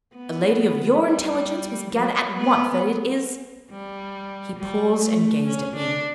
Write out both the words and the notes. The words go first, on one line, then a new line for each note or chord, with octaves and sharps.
A lady of your intelligence must gather at once that it is----?' He paused and gazed at me.
B3
G3
F#3
B3
G3
G3
A3
C#4
D4